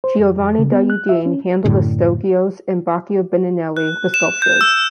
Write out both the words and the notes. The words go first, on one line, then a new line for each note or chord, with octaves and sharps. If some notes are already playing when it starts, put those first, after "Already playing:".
Giovanni da Udine handled the stuccoes and Baccio Bandinelli the sculptures.
C5
F2
F2
C#3
B3
F#6
E5
C#4
F#2 A2 D3
F#6
E7
G6
E6